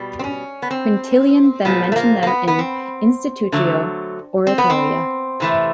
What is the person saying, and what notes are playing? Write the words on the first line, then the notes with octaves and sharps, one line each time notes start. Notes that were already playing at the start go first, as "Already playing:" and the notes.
Quintillian then mentioned them in "Institutio Oratoria".
Already playing: B2 G3
C4
C#4
B3
C4
A#2 F3 G#3 B3
A3
A#3
A#3
B3
B3
C4
D3 F#3 A3
C4
B3
C4
C3 E3 A3